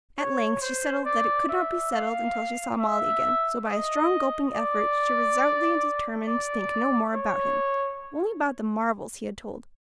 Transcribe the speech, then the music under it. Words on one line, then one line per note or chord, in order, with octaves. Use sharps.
At length she settled that it could not be settled until she saw Molly again; so, by a strong gulping effort, she resolutely determined to think no more about him, only about the marvels he had told.
C#5
C5
D5
E5
F5
E5
D#5
D5
D5
C#5